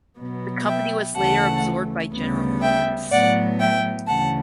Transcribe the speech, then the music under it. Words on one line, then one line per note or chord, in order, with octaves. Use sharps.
The company was later absorbed by General Motors.
B2 F#3 B3
E5 G5
D2 C#3 E3 A3 F#5 A5
D2 C#3 G3 B3
E5 G5
A2 F#3 B3 D5 F#5
E5 G5
D2 C#3 E3 F#5 A5